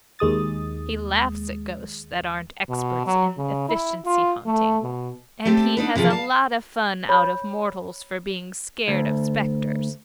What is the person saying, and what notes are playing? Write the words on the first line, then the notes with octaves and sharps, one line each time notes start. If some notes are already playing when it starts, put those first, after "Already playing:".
He laughs at ghosts that aren't experts in efficiency haunting, and he has a lot of fun out of mortals for being scared of specters.
D#2 G#3 D#6 A6
B2
F#3
C#3
E4
F4
A3
B2
A3 C4 G4 A4
D4 D#4 B4
C3 E3 F3 G#4
F5 A5
C#5 B5
D2